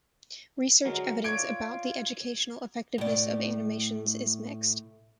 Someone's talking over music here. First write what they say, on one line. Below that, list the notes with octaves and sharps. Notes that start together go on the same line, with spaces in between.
Research evidence about the educational effectiveness of animations is mixed.
D3 F#3 G#3 A#4
F4 C#5 D5 G#6 D7
A2 D5